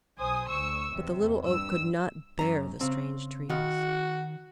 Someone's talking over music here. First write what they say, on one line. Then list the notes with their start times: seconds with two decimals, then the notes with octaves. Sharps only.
But the Little Oak could not bear the strange Trees.
0.18 B1 C5 G#5 D#6
0.49 D2 C#6 E6
0.92 E2 C3
1.44 G2 E6
2.39 F#2 A#5
2.81 C#3 C4
3.49 D#3 F#4 F5